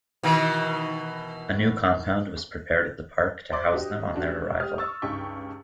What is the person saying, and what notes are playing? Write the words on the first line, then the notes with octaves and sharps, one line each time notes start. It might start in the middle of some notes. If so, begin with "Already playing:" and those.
A new compound was prepared at the park to house them on their arrival.
B2 D#3 E3
C5 D5 E5 C6 D6
D4 F#4 G4 D#5
A3 C#4 D4 F#4 G4
G4 D#6 F6
C#6 E6 A6
C#2 G2 D#4 G5 C#6 B6